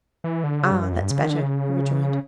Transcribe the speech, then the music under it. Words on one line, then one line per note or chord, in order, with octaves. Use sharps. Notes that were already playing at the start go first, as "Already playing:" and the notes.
"Ah! that's better," he rejoined.
E3
D3
C#3
G2
F#2
F2
G2
C#3
D#3
D3
C#3